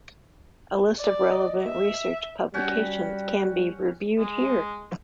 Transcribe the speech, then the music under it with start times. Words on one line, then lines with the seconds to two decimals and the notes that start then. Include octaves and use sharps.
A list of relevant research publications can be viewed here.
0.99 D5
1.31 D#5
1.62 E5
2.54 G3 C#4 F#4 G5
4.18 G#3